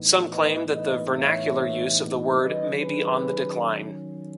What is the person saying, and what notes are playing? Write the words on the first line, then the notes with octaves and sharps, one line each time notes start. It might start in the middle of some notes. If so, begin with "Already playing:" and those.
Some claim that the vernacular use of the word may be on the decline.
Already playing: A2 E3 B3 D#4
B4 D#5
B4 D#5
C#5 E5
D#3 F#3 C#4 B4 D#5
G#4 B4